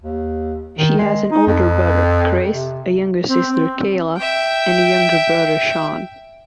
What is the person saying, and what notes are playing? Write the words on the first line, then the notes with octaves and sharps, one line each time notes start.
She has an older brother, Chris, a younger sister, Calea and younger brother Sean.
D#2
D#3
G#3
D#4
F2
C3
C4
C4
E5 G5